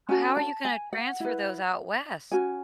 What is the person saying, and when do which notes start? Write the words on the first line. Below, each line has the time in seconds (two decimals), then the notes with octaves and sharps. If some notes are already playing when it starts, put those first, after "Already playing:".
How are you gonna transfer those out west?
0.09 C#4 F#4 A4 G#5
0.37 A5
0.65 G#5
0.93 F#5
1.20 E4 B4
2.32 C#4 F#4 G#5